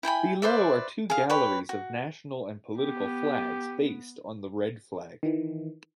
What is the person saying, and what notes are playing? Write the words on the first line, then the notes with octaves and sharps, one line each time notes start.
Below are two galleries of national and political flags based on the red flag.
E4 G5 G#5 B5
B4 C5 D5 E5
G#4 F5
G4 B4 C#5
F#4
B3 G4
D#3 E3